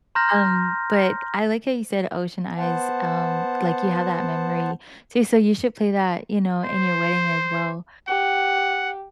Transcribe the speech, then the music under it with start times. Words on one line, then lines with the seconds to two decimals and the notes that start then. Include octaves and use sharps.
Um, but I like how you said, Ocean Eyes. Um, like, you have that memory. So so you should play that, you know, in your wedding as well.
0.15 A#5 C6 F6 G6 A#6
2.58 B3 C5 F#5 A5
6.65 C5
8.08 G4 F#5